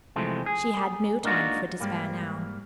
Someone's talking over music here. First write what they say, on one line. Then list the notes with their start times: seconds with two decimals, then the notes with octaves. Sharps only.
She had no time for despair now.
0.16 C3 E3 F3 G#3 A3
0.46 G#4
1.24 A#3 D4 D#4 F4 F#4
1.80 G#2 G3 A#3